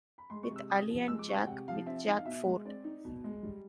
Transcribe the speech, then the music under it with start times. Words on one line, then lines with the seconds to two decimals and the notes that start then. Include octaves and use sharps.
With Ali and Jack, with Jack Ford.
0.18 B5
0.30 G#3 C6
0.43 C#6
0.50 C3
0.56 E6
0.70 C3 D#6
0.90 F3
1.08 G#3 E6
1.19 D6
1.28 C3 C#6
1.38 G5
1.47 C3 F#5
1.68 F3 F5
1.86 C4 E5
2.07 D#4
2.18 F5
2.25 B2 E5
2.46 G#3
2.65 C4 D5
2.84 D#4
3.05 B2
3.24 G#3
3.43 G3